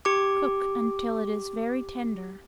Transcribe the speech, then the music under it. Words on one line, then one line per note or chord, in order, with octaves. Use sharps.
Cook until it is very tender.
G4 D6